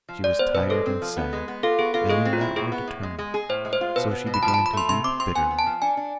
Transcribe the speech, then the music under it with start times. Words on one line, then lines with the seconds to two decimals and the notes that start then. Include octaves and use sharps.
She was tired and sad, and knew not where to turn, so she began to weep bitterly.
0.09 F3
0.24 G#3 D5
0.39 B3 C5
0.55 B2 B4
0.70 G#3 A4
0.86 C4
1.02 F3
1.17 B3
1.33 G#3
1.48 B3
1.63 F4 A4
1.79 B3 G#4
1.94 F4 A4
2.10 G#3 G#4
2.25 C4
2.33 F4
2.41 E4
2.56 A2 G#4
2.72 B3
2.88 A2
3.03 G#3
3.19 G#3
3.34 G#4
3.49 A2 C5
3.65 G#3
3.73 C5
3.81 F4
3.96 B2 B4
4.11 B3
4.27 B2
4.34 B5
4.43 F3 A5
4.48 B5
4.54 A5
4.58 F3
4.66 B5
4.73 A3 C6
4.89 C3 C6
5.04 C4 D6
5.20 C4 C6
5.36 B3 G#5
5.51 B3
5.59 A5
5.66 F3
5.82 D4 G#5
5.97 D4